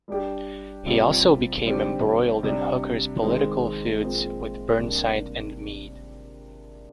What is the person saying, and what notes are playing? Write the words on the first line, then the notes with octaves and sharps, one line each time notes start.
He also became embroiled in Hooker's political feuds with Burnside and Meade.
G3 D4 G4
C3 G3 C4 F4
D3 G3 C4 G4
C3 G3 D4
D#3 G#3 C4
A#2 G#3 C4
C3 G3 A#3 D4